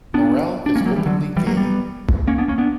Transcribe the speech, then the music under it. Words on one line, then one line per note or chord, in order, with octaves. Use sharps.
Morel is openly gay.
B3 D4
D4
A#3 C#4
G3
F#3 A#3
E3 G3
D3 F#3
E3 G3
F#3 A#3
G3 B3
A#3 C#4
B3 D4
A#3 C#4
B3 D4